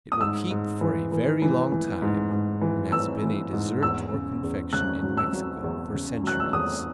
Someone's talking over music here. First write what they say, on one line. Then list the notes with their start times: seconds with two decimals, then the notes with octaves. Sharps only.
It will keep for a very long time and has been a dessert or confection in Mexico for centuries.
0.12 D#6
0.21 G#2 E6
0.51 G#2
0.81 E3
1.12 E3
1.42 E3
1.72 E3
2.02 G#2
2.32 G#2
2.61 E3
2.92 E3 E6
3.22 E3
3.53 G#2
3.83 E2 E6
4.12 C#3
4.43 E2
4.72 C#3 F#6
5.03 F#3
5.17 E6
5.32 F#3
5.63 E2
5.94 C#3
6.23 F#3 F#6
6.40 E6
6.53 E2 D#6